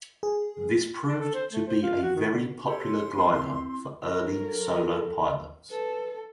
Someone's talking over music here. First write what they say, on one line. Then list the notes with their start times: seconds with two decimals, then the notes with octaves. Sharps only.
This proved to be a very popular glider for early solo pilots.
0.23 G#4
1.08 D4
1.21 A4
1.35 C5
1.52 A3
1.67 C5
1.83 F4
2.03 F#4
2.16 D#3
2.31 D3
2.68 G4 A4 C#5 C6
3.18 C4 E4
4.05 F#3 A#4
4.41 A4
5.71 A4 B4